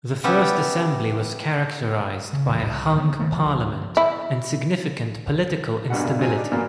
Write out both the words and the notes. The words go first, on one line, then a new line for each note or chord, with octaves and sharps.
The first Assembly was characterised by a hung parliament and significant political instability.
B3 C#4 E4 G4 A4 E5
C#3
D#1 E3
C2
D3 E3 A#3 B3
D#3 F#3 A3 B3
D2 F3
E4
A#1 E2 G2 B2 F#5
G2 B2
F#2 F#3 G#3 C4 G#4 G#5
D4 D#4
A#2 E3 F#3 A#3 B3